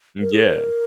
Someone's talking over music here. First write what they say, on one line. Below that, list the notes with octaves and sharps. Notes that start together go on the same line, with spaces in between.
Mm yeah.
A#4
G#4
A#4